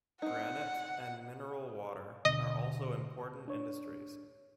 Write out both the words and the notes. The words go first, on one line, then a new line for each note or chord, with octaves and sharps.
Granite and mineral water are also important industries.
C4 D#4 F#5
D#2 B2 D3 D#5
D4 C#5